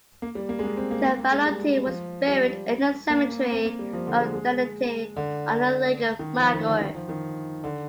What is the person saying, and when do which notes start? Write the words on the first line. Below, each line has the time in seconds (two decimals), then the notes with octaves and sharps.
Cavallotti was buried in the cemetery of Dagnente, on the Lake Maggiore.
0.22 A#3
0.35 G3
0.49 A#3
0.59 G#3
0.64 A#3
0.77 C4
0.91 A#3
1.04 A#3
1.18 A#3
1.32 G#3
1.46 G3
1.87 F3
2.28 G3
3.10 A#3
3.52 C4
3.65 A#3
3.79 G3
3.93 F3
4.07 D3
4.20 G#3
4.34 G#3
5.16 D3
6.19 D#3
6.39 F3
6.54 D#3
6.67 D3
6.81 D#3
6.95 F3
7.09 D#3
7.64 D3